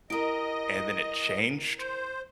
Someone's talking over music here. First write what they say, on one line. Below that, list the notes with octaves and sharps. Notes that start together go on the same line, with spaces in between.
and then it changed,
E4 G4 A#4 D#5 D7
C5